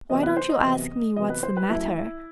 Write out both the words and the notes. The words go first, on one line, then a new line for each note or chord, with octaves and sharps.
"Why don't you ask me what's the matter?"
E2 C3 F#3 B3 D#5
B4
C5
D#5
E2 C3 F#3 B3
E2 C3 F#3 B3 D#5
B4
C5
B4
F#2 F#3 A3 E4